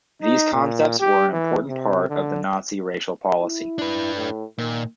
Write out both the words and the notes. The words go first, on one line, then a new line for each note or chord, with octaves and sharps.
These concepts were an important part of the Nazi racial policy.
D#4
A#2
G4
E3
C3
D3
E4
D4 B4
A2
A#2 D#3